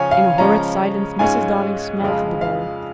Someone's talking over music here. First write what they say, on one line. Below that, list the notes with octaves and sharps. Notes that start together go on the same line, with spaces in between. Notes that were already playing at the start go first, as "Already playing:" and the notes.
In a horrid silence Mrs. Darling smelt the bowl.
Already playing: C#3 F3 C#4 F4 C#5 G#5
F5
C#3 F3 G#3 C#4 F4 A#5
G#2 G#3 C#4 F4 G#5
F2 C#3 F3 G#3 F4
F5